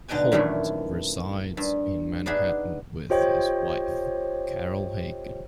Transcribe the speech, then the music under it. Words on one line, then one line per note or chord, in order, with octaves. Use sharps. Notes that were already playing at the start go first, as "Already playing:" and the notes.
Holt resides in Manhattan with his wife, Carol Hagen.
B2 D3 D#4 G5 G#5
F#2 A#2 D#3 E3 A3 E4
G2
B3 D4 D#4 G#4 E5
F4 G4 C5 C#5 D#5 G5